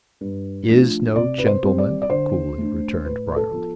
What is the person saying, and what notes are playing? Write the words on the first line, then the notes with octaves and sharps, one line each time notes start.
"Is no gentleman," coolly returned Briarly.
G2
F3 A3 D4
C3 D5
B4
C5
G3 C4
D5
D5
D3 C5
A3 D4
A2 B4
B4
A4
F3 B3